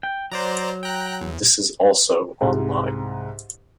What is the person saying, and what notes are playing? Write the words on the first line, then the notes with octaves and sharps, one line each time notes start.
This is also online.
G5
F#3 C5 D5 A#5
G5 A#5 F#6
E2
C2 G#2